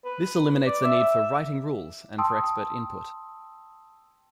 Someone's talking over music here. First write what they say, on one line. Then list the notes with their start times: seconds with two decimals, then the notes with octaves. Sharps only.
This eliminates the need for writing rules and for expert input.
0.05 B4
0.67 D5
0.84 E5
2.18 G5 A5 C6 D#6 E6